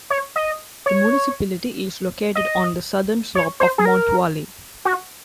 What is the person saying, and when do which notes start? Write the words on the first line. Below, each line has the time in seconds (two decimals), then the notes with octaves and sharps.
The municipality is located on the southern slope of Mont Vully.
0.10 C#5
0.36 D#5
0.86 C#5
2.35 D#5
3.35 C#5
3.60 C5
3.78 G#4
3.85 A#4
4.85 F#4